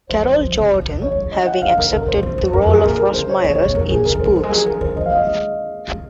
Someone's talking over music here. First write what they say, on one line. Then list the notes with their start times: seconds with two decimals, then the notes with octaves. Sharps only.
Carol Jordan, having accepted the role of Ros Myers in "Spooks".
0.10 F3 C5
0.20 F#3
0.25 C5
0.31 F#3
0.41 F3
0.56 C#3
0.71 C3
0.81 C#3
0.91 F3
1.01 F#3 C#5
1.12 G#3
1.22 G#3
1.32 D#5
1.47 F#5
1.62 F#3 F5
1.78 D#3 A#4
1.92 C3 A#4
2.03 C3
2.08 C5
2.13 G#2
2.23 F#2 C5
2.38 F2
2.53 F#2 A#4
2.63 F2
2.69 G#4
2.73 F#2
2.84 A#2 A#4
2.99 A#4
3.14 C#3 C5
3.29 C#5
3.44 C#3 C#5
3.55 D#3
3.60 C#5
3.65 A#2
3.75 F#2 A#4
3.90 A#2 G#4
4.05 C3 A#4
4.15 F#3
4.20 C5
4.25 G#3
4.35 F#3 A#4
4.43 G#3
4.51 F#3 G#4
4.66 F3 A#4
4.81 D#3 C5
4.96 F3 D#5
5.06 F5
5.12 F#3
5.15 D#5
5.27 G#3
5.88 G#3